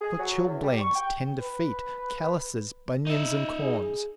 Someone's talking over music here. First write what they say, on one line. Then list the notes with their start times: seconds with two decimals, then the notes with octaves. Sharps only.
For Chilblains, tender feet, callouses, bunions, and corns.
0.01 G#4
0.19 F#3
0.46 E2
0.63 G3
0.79 C#6
0.96 G5
1.39 B4
3.07 D#4 E5
3.60 G#4